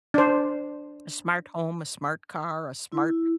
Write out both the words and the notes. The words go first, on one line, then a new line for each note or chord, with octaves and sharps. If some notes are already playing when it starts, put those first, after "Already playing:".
A smart home, a smart car, a smart
D4 C5
E4